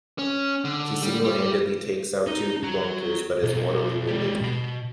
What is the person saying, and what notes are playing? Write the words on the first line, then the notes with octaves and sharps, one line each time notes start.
He single-handedly takes out two bunkers but is mortally wounded.
C#4
D3
G3
G3
D#4
F#4 A#5
B1
G#3 G4
B2 B5